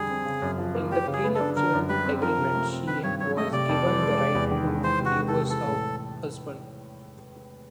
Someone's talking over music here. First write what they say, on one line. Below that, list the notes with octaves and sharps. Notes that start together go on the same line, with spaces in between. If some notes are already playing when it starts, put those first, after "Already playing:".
In the prenuptial agreement she was given the right to divorce her husband.
Already playing: F2 D3 G3 G#4
C4
C#3
F#2
F3
A#3
F#3 G4
C#3
G#4
B3
A4
D4
D3 A#4
F#2
G3 B4
C4
F3 A#4
C3
A3
C4
D#3 B4
G2 C#5
F#3 C#5
A3 D#5
C3 D5
F2
E3
G#3
C3
E2
D#3
G#3
E3 C5
C3
F#4
G#3
A4
C3
E3 A4
A2